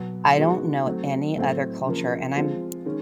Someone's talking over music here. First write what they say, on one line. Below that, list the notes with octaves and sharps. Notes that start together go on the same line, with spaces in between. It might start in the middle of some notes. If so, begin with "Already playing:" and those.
I don't know any other culture and I'm
Already playing: B2 F#3 B3
D#3 G#3 B3 D#4 F#4
F#3 A3 C4
A2 F#3 A3 C4
C#3 F3 A#3
F3 G#3 C4 F4
D#3 G#3 C#4